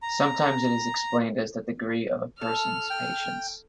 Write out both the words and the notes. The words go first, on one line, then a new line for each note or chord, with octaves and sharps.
Sometimes it is explained as the degree of a person's patience.
A#5
A4 F6
G5